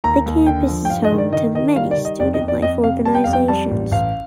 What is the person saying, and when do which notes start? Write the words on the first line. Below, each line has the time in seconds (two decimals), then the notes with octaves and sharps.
The campus is home to many student life organizations.
0.04 D#2 A#5
0.26 D#2
0.46 D3 G5
0.68 F3
0.85 G5
0.90 G2 F5
1.04 D#5
1.12 D#3
1.18 D5
1.33 D#3 D#5
1.55 D#3 D#5
1.76 G3 F5
1.91 D5
1.98 D#3
2.05 D#5
2.19 F2 D5
2.34 D#5
2.41 F2
2.48 D5
2.62 F2 D#5
2.83 C3 F5
3.05 G3 A5
3.15 G5
3.24 F2 F5
3.33 G5
3.48 G3 A5
3.71 A1
3.91 A1 F5